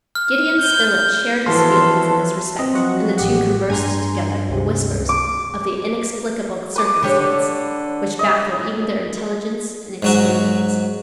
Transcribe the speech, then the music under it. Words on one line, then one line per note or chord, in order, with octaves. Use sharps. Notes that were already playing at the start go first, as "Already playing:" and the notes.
Gideon Spilett shared his feelings in this respect, and the two conversed together in whispers of the inexplicable circumstance which baffled even their intelligence and experience.
F6
G6
E3 F3 B3 F#4 A4 C6 F6
C4 D#5
F3 F#3 F#4
A1 G4 F#5
G2 G#5 A#5 C6
C#2 C3
D6
B4 D6
D3 G4 C#5
D#5
G#2 F#3 F#4